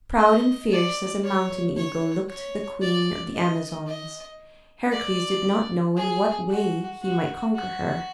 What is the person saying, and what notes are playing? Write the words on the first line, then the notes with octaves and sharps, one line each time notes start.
Proud and fierce as a mountain eagle looked the queen of the Amazons: Heracles did not know in what way he might conquer her.
D#5
D5
C#5
C#5
C#5
D5
D#5
D#5
D5
G#4
F#4
F#4
F#4